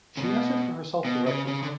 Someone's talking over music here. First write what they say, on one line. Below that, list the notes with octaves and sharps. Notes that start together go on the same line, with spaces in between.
She answered for herself directly.
C#3
B2
B2
C#3
C#3
D3